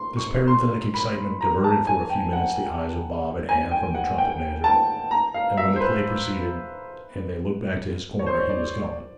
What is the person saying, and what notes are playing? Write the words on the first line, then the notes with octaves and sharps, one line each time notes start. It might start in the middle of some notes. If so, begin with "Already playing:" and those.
This parenthetic excitement diverted for a few minutes the eyes of Bob and Anne from the trumpet-major; and when the play proceeded, and they looked back to his corner, he was gone.
Already playing: C6
C#6
C6
B5
A#5
A5
G#5
G5
F#5
G#5
G5
F#5
G5
A5
A#5
F5
E5
C5
B4
C#5
C5
C#5
D5
D5